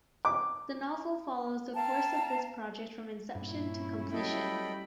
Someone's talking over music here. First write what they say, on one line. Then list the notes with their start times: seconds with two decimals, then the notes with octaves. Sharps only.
The novel follows the course of this project from inception to completion.
0.25 D6
1.75 F5 G5 A5 A#5
3.35 G2 A#2 C#4 E4
4.13 F#3 G3 A3 A4 D#5 G5 B5